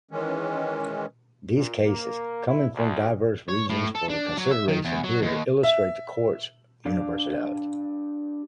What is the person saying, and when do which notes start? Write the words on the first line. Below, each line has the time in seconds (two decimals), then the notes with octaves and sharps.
These cases, coming from diverse regions for the consideration here, illustrate the Court's universality.
0.11 D#3 E3 G#3 C#4
1.56 A#2
1.85 A#3
2.46 E4
2.75 D2
3.49 C#5
3.70 A2
3.95 A4
4.09 D4
4.38 F#3
4.51 E5
4.68 D#3
4.85 E2
5.04 F#3
5.22 D#2
5.63 E5
6.85 D4 G4 D5 F5